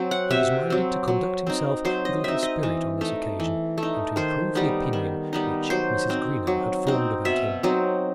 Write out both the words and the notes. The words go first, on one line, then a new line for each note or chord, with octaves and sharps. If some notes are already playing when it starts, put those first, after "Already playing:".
He was minded to conduct himself with a little spirit on this occasion, and to improve the opinion which Mrs. Greenow had formed about him.
Already playing: F#3 C4
F#5
C3 E5
F#3 C4
F#3
C4 D#4
F#3 C5
D#5
C4 D#4 E5
D#5
E3
A3 D#4
E3
A3
D#4
D#3 C5
G3 B3 D#4
D#3
G3 B3 D#4
F#3 C5
C4 D#4
F#3
C4 D#4
B2 E5
F#3 C4 D#4